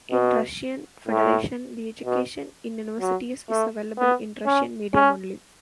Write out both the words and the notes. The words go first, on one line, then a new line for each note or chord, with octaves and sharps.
In Russian Federation the education in universities is available in Russian medium only.
B2
A2
B2
F#3
A3
B3
C#4
C#4